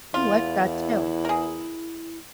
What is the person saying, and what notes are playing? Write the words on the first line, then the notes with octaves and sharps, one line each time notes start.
Ooh, I forgot too.
E2 E4 F4
G#4 A#4